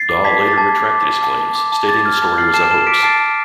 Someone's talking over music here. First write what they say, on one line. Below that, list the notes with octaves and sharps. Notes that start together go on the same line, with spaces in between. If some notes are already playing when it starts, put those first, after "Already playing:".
Dahl later retracted his claims, stating the story was a hoax.
Already playing: A6 C7
D6
A5 G#6 B6
D6
A6
A5 G#6
D6
D6
D6
A5
A5
D6
A5
G#6
D6 A6
F6 G#6
A5 A6
F6 A6 C7
A5 C7 E7
A5 C7 E7
D6 B6 D7
A5 A6 C7
A5